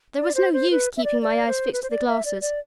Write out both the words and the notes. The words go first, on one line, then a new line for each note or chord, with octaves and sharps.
There was no use keeping my eyes fixed to the glasses.
D5
C5
C5
B4
E5
D5
D5
C5
B4
C5
D5
E5
D5
D5